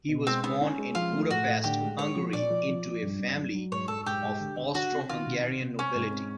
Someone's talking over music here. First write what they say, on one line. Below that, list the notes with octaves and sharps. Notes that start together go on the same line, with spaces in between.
He was born in Budapest, Hungary into a family of Austro-Hungarian nobility.
B2
G#3 C4
B3 C#4
C#4
G#3
F3 F4
A3
A2 F#4
A2
D3 G4
G#3
G#3 C#5
F3
A#2 D5
F3
F3
F3
G2
G2
F#3
F#3
G#2 C#5
G#2 A4
G#2 G4
G#2
D3
D3
D3 F#4
C4
D#3 F4
C3
C3
C3
C4 C#4
G#2
C4